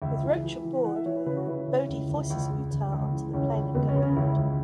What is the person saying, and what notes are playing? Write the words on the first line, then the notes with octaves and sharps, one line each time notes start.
With Roach aboard, Bodhi forces Utah onto the plane at gunpoint.
C#2 E5
E3
E3
E3
E3 F#5
E5
E3 C#5
B4
C#3 B4
F#4
C#3 E4
C#3 E4
C#2
C#2
C#2
C#2
C#2
C#2
E3
C#2 C#4
C#2
C#2 B3
C#4
C#3
C#4
C#2 E4
C#2